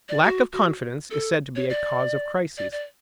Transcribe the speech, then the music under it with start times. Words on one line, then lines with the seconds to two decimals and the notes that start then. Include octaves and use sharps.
Lack of confidence is said to be a cause of crises.
0.09 D5
0.23 F#4
0.53 F#4
1.11 A4
1.55 C#5
1.70 D5
2.57 D5
2.72 D5